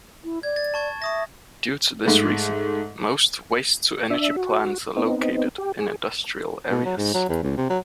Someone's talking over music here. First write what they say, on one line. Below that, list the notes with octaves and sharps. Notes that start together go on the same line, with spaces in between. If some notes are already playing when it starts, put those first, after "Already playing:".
Due to this reason, most waste-to-energy plants are located in industrial areas.
E4
D5 G#6
A6
A5 C#6 G#6
E5 C#6 D#6 A#6
G#2 A3
D4 E5
F#4
B3 C4 D#4
G4
G#4
B2
F#3
G#2
F#3
E2
C#2
C3
F#3